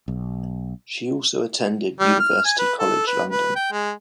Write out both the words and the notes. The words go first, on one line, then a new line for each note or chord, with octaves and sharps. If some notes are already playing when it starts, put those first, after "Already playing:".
She also attended University College London.
B1
G3
F6
G#5
B4
A4
B4
B4
G5
G#3